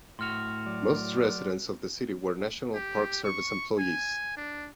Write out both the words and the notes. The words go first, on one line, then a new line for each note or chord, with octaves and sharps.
Most residents of the city were National Park Service employees.
A2 F#4 C6 F6 F7
F#3 D5
G4
C#6
G#5
D4